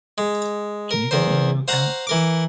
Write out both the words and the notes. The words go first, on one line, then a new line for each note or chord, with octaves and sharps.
Can you get me a new account?
G#3
A#4
E2 A#4 C5
C5 F5 F#5 A#5 C#6
E3 A#4 D6